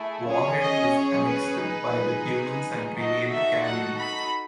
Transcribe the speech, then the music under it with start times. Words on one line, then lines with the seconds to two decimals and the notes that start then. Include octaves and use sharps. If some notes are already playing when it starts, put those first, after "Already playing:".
Warhead is annexed by the humans and renamed Canyon.
Already playing: A3 E4 G#4
0.26 C#4 G#4 C#5
0.60 D#5
0.94 C#5
1.28 B4
1.61 D#4 G#4
2.98 D#4 F#4 A4 D#5
3.31 E5
3.64 F#5
3.99 B5